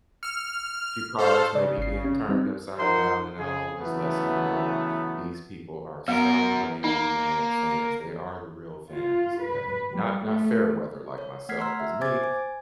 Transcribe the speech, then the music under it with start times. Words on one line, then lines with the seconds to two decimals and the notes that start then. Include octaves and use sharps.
few cars maybe being turned upside down, and that always lets me know these people are stock raving mad fans. They are the real fans, definitely, not not fair weather like myself 'cause me,
0.23 E6 F6 C#7
1.19 A4 C5 F5
1.55 C#3 D5
1.78 G#1 C7
2.05 C#4
2.29 G3 C4 D#4
2.78 F3 D#4 A#4 C5 F#5 C6
3.39 C#3 G#4
3.80 C#3 E3 F#3 A3 B3
6.08 F#2 B3 A#4
6.84 A#3 D#4
8.92 F4
9.43 B4
9.92 G3
10.23 A3
11.18 C#5
11.49 A3 F#5 F6 G#6 B6 C7
11.60 A#5 C6 E6 F6
11.80 E5
12.01 C5 G#5 D6 G#6 A6
12.24 G#5